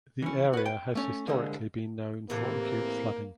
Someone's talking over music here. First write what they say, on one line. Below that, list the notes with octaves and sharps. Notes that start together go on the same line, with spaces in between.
The area has historically been known for acute flooding.
E3 C#4
F#4 B4
G5
A3 C#4
C2 D3 G3 G#3 A#3
A2 C3 E3 A#3